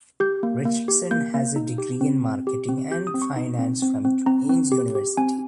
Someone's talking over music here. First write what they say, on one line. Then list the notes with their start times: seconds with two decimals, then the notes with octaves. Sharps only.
Richardson has a degree in marketing and finance from Queen's University.
0.20 G4 G6
0.43 A#3
0.65 A#3
0.88 G4
1.11 A#3 G6
1.34 A#3
1.56 D#4
1.78 G4
2.01 C4
2.24 C4
2.47 G4
2.68 C4
2.91 G4 G6
3.07 D#6
3.14 C4
3.22 C#6
3.36 D#4
3.59 C4
3.82 C4
4.05 C4
4.26 C4 A#5
4.49 C4
4.72 G4
4.95 G4
5.17 C4 G#5